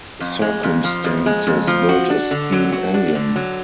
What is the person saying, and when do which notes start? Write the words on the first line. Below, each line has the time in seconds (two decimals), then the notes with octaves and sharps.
Circumstances built a steam engine.
0.20 F2
0.41 G#3
0.63 F2
0.84 F3
1.04 F2
1.26 G#3
1.47 F2
1.67 F3
1.89 F#4
2.10 D4
2.31 D3
2.52 F#3
2.72 F#4
2.94 D4
3.15 D3
3.36 F#3